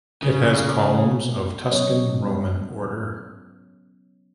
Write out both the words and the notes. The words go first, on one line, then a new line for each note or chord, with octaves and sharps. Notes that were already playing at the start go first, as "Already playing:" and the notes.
It has columns of Tuscan Roman order.
C#3
F#3 B3 C#4 C#5 D#5